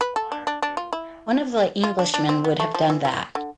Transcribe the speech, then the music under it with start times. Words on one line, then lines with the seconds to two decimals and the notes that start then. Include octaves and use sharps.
One of the Englishmen would have done that.
0.01 B4
0.16 A4
0.32 D4
0.47 D4
0.62 D4
0.77 F4
0.93 E4
1.84 F4
1.99 D4
2.14 D4
2.29 C4
2.44 B3
2.60 A3
2.74 F3
2.90 E3
3.05 E3
3.35 D3